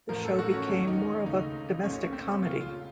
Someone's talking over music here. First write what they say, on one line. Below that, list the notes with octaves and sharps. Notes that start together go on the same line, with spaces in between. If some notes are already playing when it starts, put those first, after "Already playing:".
The show became more of a domestic comedy.
A1 A2 F3 A#4
A4
F#4
C#4
D#2 D#3 A3 C#4
D#4
C#2 C#3 A3 D#4
C2 A#2 A3 C#4
C4
C#4
C#2 C#3 A3 F4
F4